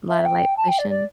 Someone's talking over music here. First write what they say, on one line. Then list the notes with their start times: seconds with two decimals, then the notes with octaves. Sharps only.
Lotta light pollution?
0.09 E5
0.25 G5
0.57 A5
0.68 G5
0.78 D5
0.89 D5